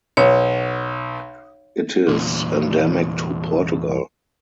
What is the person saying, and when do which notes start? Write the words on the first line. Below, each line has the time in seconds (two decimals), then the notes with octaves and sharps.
It is endemic to Portugal.
0.17 B1 C#5
2.08 E2 A#2